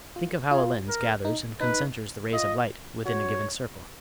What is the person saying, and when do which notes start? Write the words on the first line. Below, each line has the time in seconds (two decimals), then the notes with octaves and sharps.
Think of how a lens gathers and concenters the rays of light within a given circle.
0.16 F4
0.51 F4 G#4
0.89 A#4
1.25 D#4
1.60 D#4 B4
2.33 F4 D#5
3.06 F#4 C#5